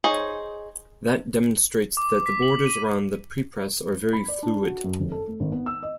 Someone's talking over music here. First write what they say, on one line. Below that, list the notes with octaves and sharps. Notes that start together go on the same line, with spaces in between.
That demonstrates that the borders around the prepress are very fluid.
D#4 G#4 C5 C#5
D6
B6
F#7
D#7
B5
D5
D4
F#4
F#2
F1
A4
A3
G#1
B3
E6
D#5